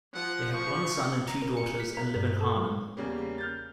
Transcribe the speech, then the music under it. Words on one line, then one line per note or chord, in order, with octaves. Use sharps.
They have one son and two daughters and live in Harnham.
F3 F#5
C#6
A#5
A#4
C#7
B6
A#4
G2
A4
F#3
E2 C#3 G3 A#3
F6 G6 A6